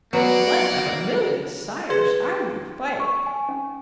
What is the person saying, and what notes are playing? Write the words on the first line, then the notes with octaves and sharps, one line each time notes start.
Blood of a million sires! how you fight!
F#3 A#3 B3 D5 F#5
G#4 B4 C6 G#6
C#6
G#5
C#4